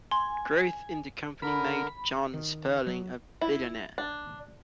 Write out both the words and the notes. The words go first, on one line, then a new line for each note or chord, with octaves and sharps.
Growth in the company made John Sperling a billionaire.
G#5 C6
D3 A#4 B5
D#3
F#3
E4
D4